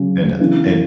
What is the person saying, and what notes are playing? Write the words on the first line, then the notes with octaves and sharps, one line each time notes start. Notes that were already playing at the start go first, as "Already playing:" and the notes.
And and
Already playing: C#3 F#3 C#4 G#4
C#3 E3 B3